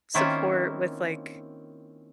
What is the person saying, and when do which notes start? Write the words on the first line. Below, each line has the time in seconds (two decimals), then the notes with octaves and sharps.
support with, like
0.14 D#3 A#3 C4 C#4 E4 F4